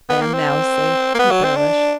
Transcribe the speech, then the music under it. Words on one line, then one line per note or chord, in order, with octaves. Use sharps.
I am now safe to perish.
B3
A#3
C4
A#3
B3
F#3
C4
D4